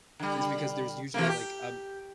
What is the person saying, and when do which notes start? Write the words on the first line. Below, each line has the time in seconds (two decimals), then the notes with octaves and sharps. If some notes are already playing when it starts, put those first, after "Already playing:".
It's because there's usually, like, um
0.19 D3 G3
1.14 E3 A3 A#3
1.29 G4